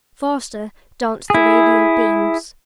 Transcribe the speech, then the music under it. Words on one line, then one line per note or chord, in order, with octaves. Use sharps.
Faster danced the radiant beams.
E4 G#4